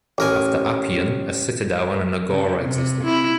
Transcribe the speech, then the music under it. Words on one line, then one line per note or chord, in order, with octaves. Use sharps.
After Appian, a citadel and an agora existed.
A1 A#4 G#5
C#3
C3
E4